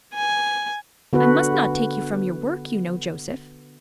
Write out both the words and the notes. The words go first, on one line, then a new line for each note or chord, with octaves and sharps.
"I must not take you from your work, you know, Joseph."
G#5
D3 B3 F#4 A4 B4